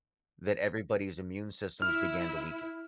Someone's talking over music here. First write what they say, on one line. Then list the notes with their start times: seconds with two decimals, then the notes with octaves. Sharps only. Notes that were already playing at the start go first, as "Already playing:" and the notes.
that everybody's immune systems began to weaken.
1.82 E4 F6